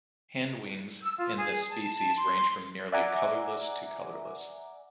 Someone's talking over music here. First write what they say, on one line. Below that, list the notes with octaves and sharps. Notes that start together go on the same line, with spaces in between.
Hindwings in this species range from nearly colorless to colorless.
E6
F4
G#4
A5
A5
C6
D5 E5 F#5 G#5 A#5 D6